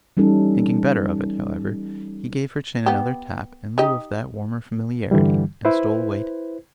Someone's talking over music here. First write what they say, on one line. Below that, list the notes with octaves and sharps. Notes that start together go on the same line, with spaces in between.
Thinking better of it, however, he gave her chin another tap, in lieu of that warmer familiarity, and stole away to bed.
E3 G3 C#4 D#4 A4
B3 G4
D#4 G4 D#5
G2 D3 E3 G3
E4 B4 C5